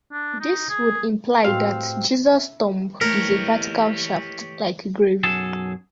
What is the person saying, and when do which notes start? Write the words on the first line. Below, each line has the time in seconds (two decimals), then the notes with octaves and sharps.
This would imply that Jesus' tomb is a vertical shaft like grave.
0.13 D4
0.40 D#4
0.69 G#4
1.45 A2 C4 F#4 G4 D#5 F5
2.34 E5
3.01 E3 A3 G4 A#4 C#5
5.23 B1 F#2 F#3 G#4 A4 A5